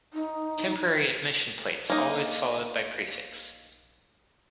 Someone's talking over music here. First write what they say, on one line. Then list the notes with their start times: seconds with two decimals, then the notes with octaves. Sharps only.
Temporary admission plates always followed by prefix.
0.13 D#4
1.90 A#3 D#4